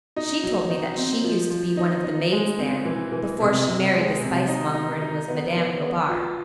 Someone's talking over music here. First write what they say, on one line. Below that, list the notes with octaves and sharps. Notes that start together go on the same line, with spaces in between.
She told me that she used to be one of the maids there, before she married the spice-monger and was Madame Robard.
D#4
F#3
D#4
C4
F3
F3
D#4
D#4
G#3
C4
E3
E3
C3
C3
G#3
C3
D#4
D#4
D#4
B3
B3
B3
F4